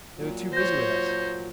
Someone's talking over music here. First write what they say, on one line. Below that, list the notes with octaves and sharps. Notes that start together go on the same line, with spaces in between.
'They were too busy with us.
A#2 F#3
C5 C#5 G6 A#6